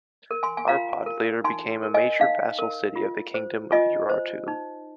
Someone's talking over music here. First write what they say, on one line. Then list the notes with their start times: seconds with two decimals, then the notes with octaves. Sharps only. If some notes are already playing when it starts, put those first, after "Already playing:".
Arpad later became a major vassal city of the Kingdom of Urartu.
0.31 A#4
0.43 G#5 C6
0.57 G#5
0.68 F4 F5 A#5
1.06 A#4
1.44 D#4 G#5 C6
1.83 A#4
1.94 D#5 G#5
2.20 D#4 F5
2.59 A#4
2.96 F4
3.34 C5
3.72 F4 D#5 G#5
4.09 C5
4.48 D#4